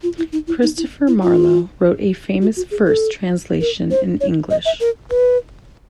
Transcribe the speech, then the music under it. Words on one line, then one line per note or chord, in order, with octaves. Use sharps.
Christopher Marlowe wrote a famous verse translation in English.
F4
E4
D#4
E4
D#4
E4
E4
F4
F#4
F#4
G#4
A4
A#4
C5
C#5
D#5
E5
A#4
B4